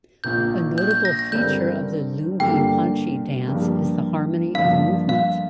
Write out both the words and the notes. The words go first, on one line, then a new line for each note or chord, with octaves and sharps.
A notable feature of the Lungi Panchi dance is the harmony of movement.
A#1 A#2 A#3 G6
G6
G6
A#6
A#6
G2 D3 G3 C4 A#4 G6
G2 D3 A#3 G4 G5
G2 F3 A#3 G4
G1 G2 F3 A#3 F4 F5
F5